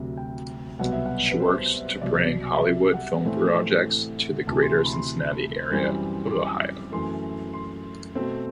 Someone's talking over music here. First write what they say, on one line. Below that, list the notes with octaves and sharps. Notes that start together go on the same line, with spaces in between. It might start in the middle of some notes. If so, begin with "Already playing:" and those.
She works to bring Hollywood film projects to the Greater Cincinnati area of Ohio.
Already playing: D2 C3 F#3
G5
C2 B2 F#3 B3 F#5
E5
F#5
B4
C5
C2 B2 F#3 D5
E5
F#5
A2 E3 A3 C4
D2 C3 E3 A5
C6
C6
B5
C6
F#2 E3 G3 C4
D6
F#2 E3 A3 C6
C6
B2 A3 C4